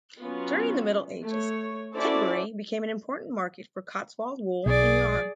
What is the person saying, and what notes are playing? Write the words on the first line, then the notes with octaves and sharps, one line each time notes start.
During the Middle Ages, Tetbury became an important market for Cotswold wool and yarn.
F#3 B3 C#4 F4
A3 C#5
C#4 E4 F#4 A4 C5 D5
B1 G#4 D5